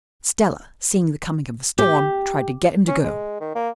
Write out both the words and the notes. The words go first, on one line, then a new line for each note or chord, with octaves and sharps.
Stella, seeing the coming of the storm, tried to get him to go.
G4
C#4
G#3
D#3
A#3